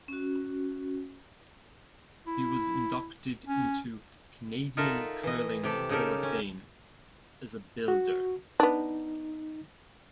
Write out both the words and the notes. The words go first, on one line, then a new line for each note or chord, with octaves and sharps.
He was inducted into Canadian Curling Hall of Fame as a builder.
C#4 F#4
E4
C#4
D#4 F4 A4 A#4 E5 F#5
E3 D#5
C3 G4 A4
C#3 D#4 G4 A4 A#4
C#4
F#4
B3 D4 D#4